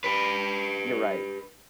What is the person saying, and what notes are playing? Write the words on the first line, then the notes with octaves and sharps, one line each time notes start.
You're right.
G4 B4